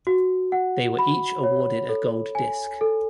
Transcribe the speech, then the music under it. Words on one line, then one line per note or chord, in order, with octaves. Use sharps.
They were each awarded a gold disc.
F#4
F#5
B5
C#5
A4
G#5
A4